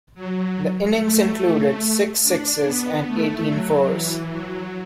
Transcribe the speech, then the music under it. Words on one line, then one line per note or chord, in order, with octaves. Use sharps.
The innings included six sixes and eighteen fours.
F#3
A3
D4
B3
A3
F#3
E3
F#3